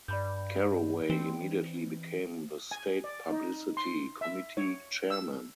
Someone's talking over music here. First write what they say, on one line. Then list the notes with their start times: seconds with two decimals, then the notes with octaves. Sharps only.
Carraway immediately became the State Publicity Committee Chairman.
0.08 G2 D5 B5 G6
1.10 E3 C4
2.71 G#5
3.04 D5
3.30 D#4
3.77 C6
4.21 E5
4.57 C#5
5.10 E6